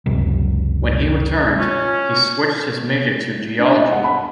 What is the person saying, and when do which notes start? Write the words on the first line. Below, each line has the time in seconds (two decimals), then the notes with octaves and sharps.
When he returned, he switched his major to geology.
0.06 G1 C#2 F#2 C3
1.58 C#4 F4
3.59 D4
3.77 D#5
3.92 F#5
4.04 B5